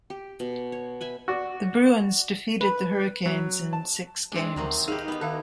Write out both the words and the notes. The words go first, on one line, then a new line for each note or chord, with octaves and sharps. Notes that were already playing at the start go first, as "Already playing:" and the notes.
The Bruins defeated the Hurricanes in six games.
G4
B2
C#5
B4 E5 G#5
F#4 D5
B4
F#3
A5
G#3 C4 D4
D2 C3 D#3 F#3
D#4 G4 G#4 B4 F5
B3
D#3 E4 F5